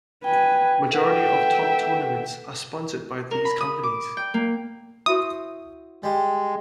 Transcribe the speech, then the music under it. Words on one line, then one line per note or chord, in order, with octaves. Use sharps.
Majority of top tournaments are sponsored by these companies.
B4 G5 G#5
A4 B4 E5 F#5 G5
A#4
B5
D#6
D6
G5
A#3
E4 F#4 C5 D#6
G3 G#3